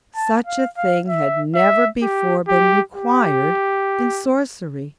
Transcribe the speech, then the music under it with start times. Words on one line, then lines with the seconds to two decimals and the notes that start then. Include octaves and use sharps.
Such a thing had never before been required in sorcery.
0.15 A5
0.47 F5
0.77 F5
1.08 E5
1.55 E5
2.02 G4
2.49 G4
2.95 G4